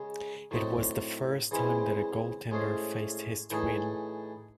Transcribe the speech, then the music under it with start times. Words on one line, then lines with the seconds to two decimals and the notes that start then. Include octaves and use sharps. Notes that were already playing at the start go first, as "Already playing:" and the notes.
It was the first time that a goaltender faced his twin.
Already playing: C#3 G#3
0.51 A2 F#3 C4 D#4 F#4
1.51 C#3 E3 G#3 C4 E4
2.51 A2 G#3 C#4 G#4 C5
3.50 A2 E3 A3 D#4 G#4